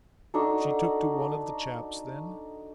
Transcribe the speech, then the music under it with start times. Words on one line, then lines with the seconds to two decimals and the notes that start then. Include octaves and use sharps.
'She took to one of the chaps then?'
0.34 D4 D#4 F#4 A4